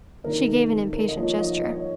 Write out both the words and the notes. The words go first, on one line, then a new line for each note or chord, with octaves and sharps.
She gave an impatient gesture.
C3 D#3 A#3 D#4 A#4
A4
A4
A#4
D#5
F3 A#3 D#4 C#5
D#5
D#5
C#5